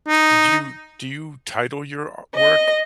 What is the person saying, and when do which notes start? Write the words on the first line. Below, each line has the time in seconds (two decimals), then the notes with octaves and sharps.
Did you do you title your a work?
0.08 D#4
2.35 D#5